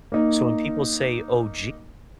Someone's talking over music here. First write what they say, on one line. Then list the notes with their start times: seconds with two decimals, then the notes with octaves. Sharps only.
So when people say OG,
0.12 A#3 D#4